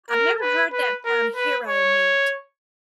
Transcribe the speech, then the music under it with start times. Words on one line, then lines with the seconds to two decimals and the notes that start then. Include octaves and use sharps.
I've never heard that term "hero meat."
0.10 A#4
0.41 B4
0.73 B4
1.05 A#4
1.36 B4
1.67 C#5